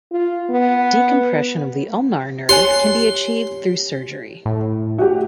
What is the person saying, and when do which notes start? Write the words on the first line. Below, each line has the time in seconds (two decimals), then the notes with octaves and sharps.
Decompression of the ulnar nerve can be achieved through surgery.
0.12 F4
0.50 B3
2.49 G4 C#5 G#5 C6
4.46 A2
4.98 F#4 G4